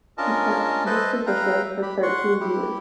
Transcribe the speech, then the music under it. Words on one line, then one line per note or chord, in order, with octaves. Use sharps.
He kept this position for thirteen years.
C#4 D4 F4 A#4 D#5 A5
A4 B4 C5 D#5 E5 A5
B4 E5 F5 G5 A#5
G4 B5
F#5 C6 C#6
E4 G4